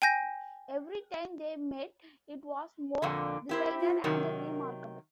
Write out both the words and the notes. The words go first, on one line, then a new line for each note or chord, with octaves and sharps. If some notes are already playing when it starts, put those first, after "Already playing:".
Every time they met, it was more decided and remarkable.
G5 G#5 G6 A#6
F2 A#2 D3
C4 E4 G4 A#4
F4
C3 D#3 F#3 A#4